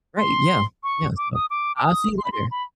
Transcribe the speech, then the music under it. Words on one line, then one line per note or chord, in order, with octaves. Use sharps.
Right, yeah, yeah, so I'll see you later.
C6
C#6
D6
D#6
D6
D6
D#6
C6
B5
C6
B5